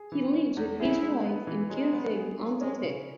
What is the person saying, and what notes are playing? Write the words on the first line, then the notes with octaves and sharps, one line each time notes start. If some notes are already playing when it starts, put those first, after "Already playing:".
He lives with his wife in Kirchheim unter Teck.
Already playing: G#4
E3
C#4
E2
E4 G#4
G#3
B3
E3
F#3 G#3
B3
G#4
F#3
G#3 C#4
C#3